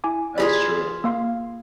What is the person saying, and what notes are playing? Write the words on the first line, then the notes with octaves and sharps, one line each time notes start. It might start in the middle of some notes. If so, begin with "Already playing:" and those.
That's true.
E4 G#5 D6
F4 G4 G#4 D5 B5
A#3 F5 C6